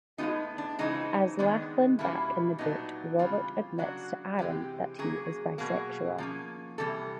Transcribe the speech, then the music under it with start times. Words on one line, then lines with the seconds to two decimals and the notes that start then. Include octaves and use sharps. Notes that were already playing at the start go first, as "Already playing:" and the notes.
As Lachlan back in the boot, Robert admits to Aaron that he is bisexual.
0.18 A2 F3 G#3 B3 D#4
0.58 D4
0.79 C#3 E3 G#3 C4 D#4
1.39 D#3 G#3 B3 D4
1.99 B2 G3 A#3 C#4 E4
2.59 A#2 F#3 B3 D4 D#4
3.19 C#3 E3 G3 C4 F4
3.78 C#3 F#3 A#3 D4 F#4
4.39 C3 E3 G#3 C4 G4
4.99 C#3 F#3 A#3 G#4
5.58 B2 F#3 A#3 G#4
6.18 F3 A#3 C#4
6.78 C3 E3 G3 A4